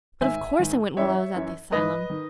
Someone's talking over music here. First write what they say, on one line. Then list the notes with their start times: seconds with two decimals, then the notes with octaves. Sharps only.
But of course I went while I was at the asylum.
0.21 G#2 D#3 E5 G#5
0.59 G#2 D#3
0.97 F#2 E3 C#5 E5
1.34 F#2 E3
1.72 G#2 D#3 B4 D#5
2.10 D#3